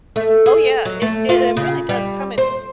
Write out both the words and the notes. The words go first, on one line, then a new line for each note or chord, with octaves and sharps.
Oh yeah, it it it really does come in,
A3
G#4
F#3
A3
F4
C#3
G3
C5